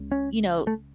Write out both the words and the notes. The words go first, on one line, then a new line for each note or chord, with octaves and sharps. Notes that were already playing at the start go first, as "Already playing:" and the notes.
you know,
Already playing: C#2 C#3
C#4
A3